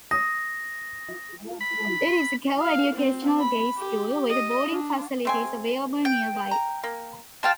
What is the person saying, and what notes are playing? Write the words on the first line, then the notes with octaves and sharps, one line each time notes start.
It is a co-educational day school with boarding facilities available nearby.
D#6 A#6
B5
F5
C4
B5
G4
D#5
D4
A3 C4 G#5
G5
A#5
A#3
F4 F5 G5 A5